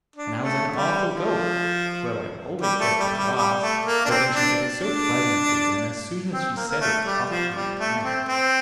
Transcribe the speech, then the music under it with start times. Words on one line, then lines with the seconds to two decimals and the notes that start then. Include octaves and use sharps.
And I was "an awful gowk!" Well, I always guessed I was; but then she said it so pleasantly, and as soon as she said it off she went again.
0.16 D4
0.40 A3
0.76 G3
1.14 F3
2.62 G3
2.80 A3
2.99 G3
3.17 G3
3.36 G3
3.60 A3
3.85 A#3
4.05 D4
4.10 C4
4.35 D4
4.83 D4
6.31 C4
6.56 A#3
6.68 A#3
6.81 A3
7.05 G3
7.30 F3
7.54 G3
7.79 A3
8.03 C4
8.28 C4